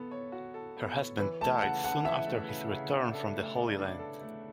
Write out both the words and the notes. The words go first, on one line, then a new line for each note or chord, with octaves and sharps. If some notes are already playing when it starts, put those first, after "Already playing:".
Her husband died soon after his return from the Holy Land.
Already playing: B3 A4
C#5
F#4
A4
B3
C#5
E3 B4
A3 A5
C#3 F#5
C#3 F#5
E3 E5
A3
C#3
C#3
D4
A4
A3
D5
D4
A4
A3